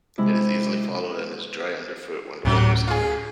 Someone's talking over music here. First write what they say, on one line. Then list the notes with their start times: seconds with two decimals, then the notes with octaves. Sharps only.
It is easily followed, and is dry underfoot when the weather is clear.
0.18 C3 G#3 E4
2.45 D1 A2 C3 F#3 C#4
2.87 F4 G#4